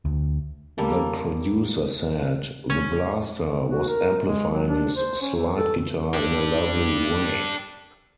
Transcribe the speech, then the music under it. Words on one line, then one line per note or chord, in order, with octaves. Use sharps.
The producer said: The blaster was amplifying his slide guitar in a lovely way.
D2
G3 A#3 A4
C#4
F#4
A#4
G#3
F#3
D4
C5
C#4
E3
A4
D4 G4